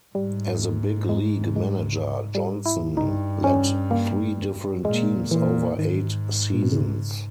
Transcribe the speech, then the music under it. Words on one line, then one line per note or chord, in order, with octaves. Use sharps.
As a big-league manager, Johnson led three different teams over eight seasons.
G#2 G3
G#3
G#3
G3
E4
G2 D#4
C#4
A#3
A#2 G#3
A#2 E3
G#2 D#3
A#2
B2
C#3